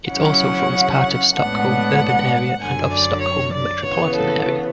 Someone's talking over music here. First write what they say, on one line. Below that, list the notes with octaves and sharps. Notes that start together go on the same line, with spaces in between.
It also forms part of Stockholm urban area and of Stockholm Metropolitan Area.
C#3 F#3 C#4 E4 F#5
A2 G#3 B3 D4 F#5
F#2 D3 F#3 G#5
D5
C#5
D5
C#3 E3 B3 C#5
A4